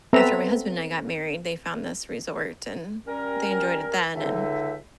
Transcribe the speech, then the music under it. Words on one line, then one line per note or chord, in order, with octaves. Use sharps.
after my husband and I got married, they found this resort, and they enjoyed it then, and
B3 C4 A4 B4 E5 A#5
G3 C#4 A#4
C#2 D3 D#4 E5